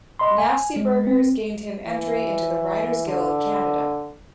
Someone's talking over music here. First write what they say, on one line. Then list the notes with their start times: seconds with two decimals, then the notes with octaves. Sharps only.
"Nasty Burgers" gained him entry into the Writers Guild of Canada.
0.19 D#5 B5 C6
0.38 G#5
0.76 G#3
1.07 C4
1.87 E3
3.07 D3